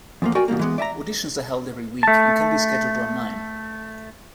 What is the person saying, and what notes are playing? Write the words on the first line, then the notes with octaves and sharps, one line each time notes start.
Auditions are held every week and can be scheduled online.
E2 F3 A#3
F#4 A#4 D5 G5 G#5
B2 E3 G3 A#3
E3 G#3 B3
D5 E5 G#5 A#5
A3 A5